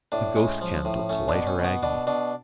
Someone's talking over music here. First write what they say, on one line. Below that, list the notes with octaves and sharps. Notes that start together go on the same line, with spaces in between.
The ghostcandle to light her agony.
A2 D4
G#3 C#4
F3
A2
A3 C#4
D4
B2
C#4
B2
B3
B2 D4
B2 D4